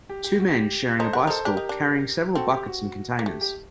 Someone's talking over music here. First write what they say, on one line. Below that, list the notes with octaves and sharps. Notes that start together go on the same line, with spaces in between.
Two men sharing a bicycle, carrying several buckets and containers.
G4
G4
F#4
G4
D#4 A4 C5
F#4 G4 A#4
D#4 A4 C5
D4 G4 A#4
D#4
D4
C4 F#4 A4
G4
F#4
A#3
A3 G4
G4